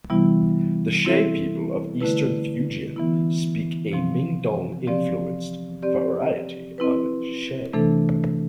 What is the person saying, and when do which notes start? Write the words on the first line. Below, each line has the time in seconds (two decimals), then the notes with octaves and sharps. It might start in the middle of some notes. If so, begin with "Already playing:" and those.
The She people of Eastern Fujian speak a Min Dong-influenced variety of She.
0.10 C3 E3 G3 B3 E4
1.05 C4 E4 A4 E5
2.01 D3 A3 E4 B4
2.96 E3 B3 E4
3.92 C3 F3 C4
4.87 F3 C4 G4 D5
5.83 C4 G4 D5
6.78 C4 E4 B4
7.73 C3 E3 A3 D4 A4